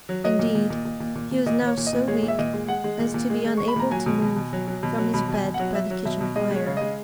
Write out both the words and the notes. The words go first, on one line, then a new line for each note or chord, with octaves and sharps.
Indeed, he was now so weak as to be unable to move from his bed by the kitchen fire.
F#3
F#3 D#5
A#2
A#2
A#2
A#2
A#2
A#2
A#2
A#2 D#5
A#2 C#5
A#2
D#5
A#2
G#3 C#5
A#2
E5
A#2 D#5
G#3
G#3 F#5
G#3
A#2
A#2
G#3
G#3
G#3 C#6
B5
A#2 A#5
F#3 G#5
B2
B2
B2
F#3
F#3
B2
F#3
B2 B5
B2
G#5
B2
F#5
F#3
F#3 E5
F#3
B2 E5
B2
G#3 D#5
G#3
C#5
C#3
G#3 D#5